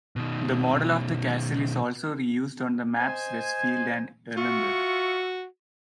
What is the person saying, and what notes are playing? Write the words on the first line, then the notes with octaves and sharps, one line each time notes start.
The model of the castle is also reused on the maps Westfield and Erlenberg.
B2 D#3
C5 D#5 G#5
F4 F#4 E5 C#6